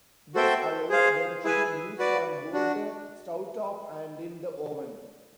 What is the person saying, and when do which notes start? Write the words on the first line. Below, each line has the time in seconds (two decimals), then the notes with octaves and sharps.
This allows them to be used on both the stovetop and in the oven.
0.35 F#4 A4 C5 E5 G5
0.90 G#4 C5 F5
1.44 E4 G#4 B4 E5 G#5
1.98 F#4 B4 D5
2.53 D4 F#4